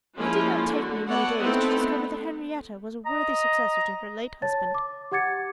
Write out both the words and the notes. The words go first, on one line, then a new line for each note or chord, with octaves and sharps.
It did not take me many days to discover that Henriette was a worthy successor to her late husband.
F3 G#3 A#3 C#4 E4 F4
D3 F#4
B3 F#4 A4 C#5 D5 F#5
A3 B3 C4 D#4 E4 A4
B3
D#5 A#5
C#5 A5 A6
D6
G4 F#5 D6 G#6 A6 C#7